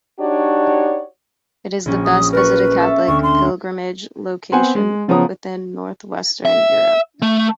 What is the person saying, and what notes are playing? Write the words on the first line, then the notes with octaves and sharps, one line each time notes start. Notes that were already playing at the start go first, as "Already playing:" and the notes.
It is the best visited Catholic pilgrimage location within north-western Europe.
D4 D#4 F#4 G4 C#5 D5
A#1 C#4
D#6
A#4 B4 C#6
A4 E5
D2 C#6
C6
B3 C4 C5 F#5 G#5
G#3
C#3 F3 B3 C#4 A#5 D#6
E5
A3